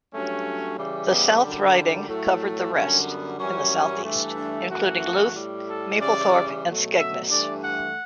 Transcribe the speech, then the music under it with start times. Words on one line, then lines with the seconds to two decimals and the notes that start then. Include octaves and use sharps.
The South Riding covered the rest, in the south-east, including Louth, Mablethorpe and Skegness.
0.12 G2 F#3 A3 C#4
0.78 C#3 E3 G3
1.11 B3
1.42 F#2 D3 G3
2.07 A2 F#3 A3
2.73 F#2 D3 G3 C#4
3.06 B3
3.39 F#2 E3 G3 C#4
4.04 G2 E3 A3
4.36 D4
4.69 F#2 E3 A3 F#4
5.35 A2 G3
5.68 A4
5.99 C#3 E3 G3 D5
6.66 B2 F#3 A3
6.97 E5
7.30 G2 E3 A3 D5
7.63 F#5